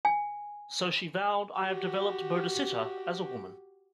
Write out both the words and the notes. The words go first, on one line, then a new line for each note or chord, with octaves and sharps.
So she vowed, I have developed bodhicitta as a woman.
G#5
F#4 G4